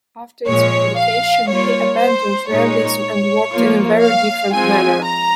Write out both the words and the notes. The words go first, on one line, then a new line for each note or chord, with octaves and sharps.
After its publication, he abandoned realism and worked in a very different manner.
A#2 F3 G#3 C#5
F5
G3 A#3 F4 C#5
C5
A#2 G#3 D#4 C#5
F3 A#3 F4
F5
F3 G#3 C4 F4 G#5
A#5